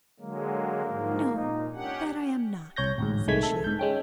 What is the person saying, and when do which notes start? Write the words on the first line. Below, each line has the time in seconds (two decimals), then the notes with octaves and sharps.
"No, that I am not," said she.
0.20 D3 F#3 G#3 A#3
0.87 G#2 D#3 F3
1.36 A#2 D#4
1.74 C#4 D4 G4 F#5
2.76 C2 C#5 G6 A#6
2.98 A1 D2 G#2
3.28 C2 D#3 G#3 A3 G#6 B6
3.43 A4
3.64 G#2 G6
3.79 G#3 C#4 G5